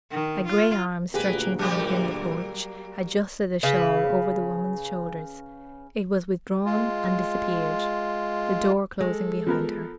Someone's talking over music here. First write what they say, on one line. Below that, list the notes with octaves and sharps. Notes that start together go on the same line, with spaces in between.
A gray arm, stretching from within the porch, adjusted the shawl over the woman's shoulders; it was withdrawn and disappeared, the door closing behind her.
D#3
F4
D2 A#2 A#3 G4 G#4 B4
F#3 G3 A#3
C#3 B4
G#3 F4
G#3 A4
F3 B3 A#4